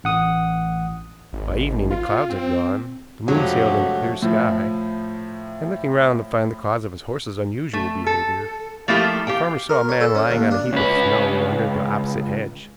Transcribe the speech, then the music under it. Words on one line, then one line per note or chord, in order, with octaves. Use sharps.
By evening the clouds had gone, the moon sailed in a clear sky, and, looking round to find the cause of his horse's unusual behavior, the farmer saw a man lying on a heap of snow under the opposite hedge.
A1 F#5 D#6
G#1
F4
C4
F2 C3 F#3 G#3 A3 D4 F#4 G4
A2 F3
A3
A4
F3 A3 A#3 E4 F4 G4
G4 F5 G5
A#4
C#5
A4
C#4
D#2
D4
C#2 C#4 B4